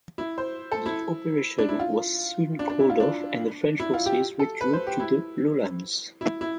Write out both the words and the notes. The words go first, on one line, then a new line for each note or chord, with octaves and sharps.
The operation was soon called off and the French forces withdrew to the lowlands.
E4
C5
A4
E4
D4
E4
F4
D4
D4
E4
F4
D4
E4
F4
G4
A4
B4
C5
G4
E4
E4
E4